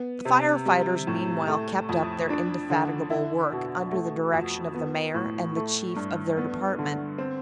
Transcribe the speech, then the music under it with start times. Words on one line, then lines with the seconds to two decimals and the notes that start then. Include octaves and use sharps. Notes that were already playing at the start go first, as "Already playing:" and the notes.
The fire-fighters meanwhile kept up their indefatigable work under the direction of the Mayor and the chief of their department.
Already playing: B3
0.25 C3
0.66 G3
1.07 A2
1.47 A3
1.89 F2
2.30 D4
2.70 D3
3.10 E4
3.52 B2
3.92 A3
4.33 F2
4.74 B3
5.14 A2
5.56 A3
5.96 G2
6.37 B3
6.78 D3
7.18 C4